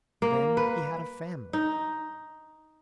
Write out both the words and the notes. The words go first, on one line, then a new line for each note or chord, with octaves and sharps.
Then he had a family!
A#3
B4
D#4